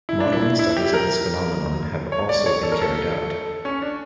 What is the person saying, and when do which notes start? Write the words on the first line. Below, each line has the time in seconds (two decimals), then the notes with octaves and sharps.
Modeling studies of this phenomenon have also been carried out.
0.09 E4
0.20 D4
0.32 E4
0.59 E4
0.76 G4
0.94 A#4
2.12 C#5
2.29 D5
2.46 C#5
2.63 A4
2.72 A#4
2.82 A4
3.65 C#4
3.82 D4